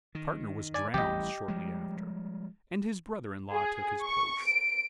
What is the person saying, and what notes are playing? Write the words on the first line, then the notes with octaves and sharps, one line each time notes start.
The partner was drowned shortly after, and his brother-in-law took his place.
D#3
D5 G#5
A1 E3 G3 G4 D#5
F3 G3 G#3
G#4
C#6
D7